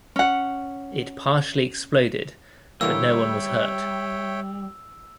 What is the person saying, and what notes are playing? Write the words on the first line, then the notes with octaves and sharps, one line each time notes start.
It partially exploded but no one was hurt.
C#4 F#5
D3 E3 G3 A#3 C#5 E5 G5 E6